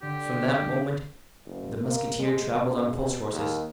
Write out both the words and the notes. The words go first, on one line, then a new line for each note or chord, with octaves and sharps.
From that moment the musketeer travelled on post-horses.
D3 G4
F#1
A#3
G#3
C#2
B2
D#2